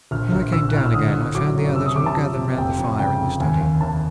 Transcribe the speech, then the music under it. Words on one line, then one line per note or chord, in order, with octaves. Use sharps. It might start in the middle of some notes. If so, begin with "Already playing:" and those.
When I came down again I found the others all gathered round the fire in the study.
A#1 F6
A#1
A#1 E6
F#6
A2 F6
E6
D3 D#6
D3
F#3 D6
F#2
C3 E6
D#6
C3 D6
A5
F3
C3
F1 G5
F2
C#3 G5
F2
D#2 G#5
D#2
D#2 A5